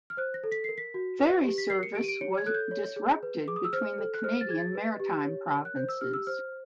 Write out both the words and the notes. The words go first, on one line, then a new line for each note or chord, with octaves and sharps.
Ferry service was disrupted between the Canadian Maritime provinces.
F6
C5 F#6
A#6
A4
B6
A#4 C7
B6
F#4
B4
G4
B6
A#4 C7
C#7
G4 D7
D#7
D7
C#5 C#7
G#6
A4 F#6
G6
C#5
G#4
B4
G#4 D6
D#6
E6
C5 F6
A4
F#6
C5 F6
A6
G#4 G#6
A6
B4
G4
C#5
A#4
F#6
C5 G6
E6
G4 F6
E6
C5 F6